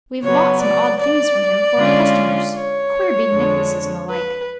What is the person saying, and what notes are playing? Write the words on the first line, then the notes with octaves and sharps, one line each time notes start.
We have bought some odd things from him for our customers, queer bead necklaces and the like.
C#3 F#3 B3 C#5
D5
D5
D3 G#3 C#4 F4
C#5
F2 D3 G#3 D4
B4